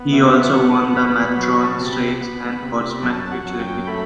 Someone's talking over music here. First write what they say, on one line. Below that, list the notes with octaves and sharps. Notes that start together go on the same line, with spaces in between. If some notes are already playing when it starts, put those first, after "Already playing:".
He also won the Matron Stakes and Horseman Futurity.
Already playing: B3
B2 E5
D#5
E5
B3 F#5
F#5
B2 B5
B5
F#3 B5
A5
C3
B5
B3
C3
F#2 A5
F#5
F#2
G5
A3 B5